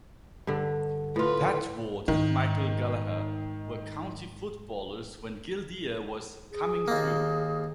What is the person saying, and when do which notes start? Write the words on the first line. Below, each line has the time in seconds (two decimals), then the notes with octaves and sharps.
Pat Ward and Michael Gallagher were county footballers when Gildea was "coming through".
0.47 G2 D3
1.16 A2 F4 B4
2.08 G#2 D#3
6.50 G#4
6.88 D#2 A#3